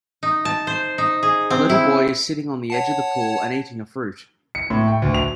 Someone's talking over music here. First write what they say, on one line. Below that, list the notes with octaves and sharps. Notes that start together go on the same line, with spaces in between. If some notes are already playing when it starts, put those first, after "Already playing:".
A little boy is sitting on the edge of the pool and eating a fruit.
D#4
A5
C5
D#4
G#4
C4
E4
C#5 F#5 A5
C#7
A2
G5
D2
F7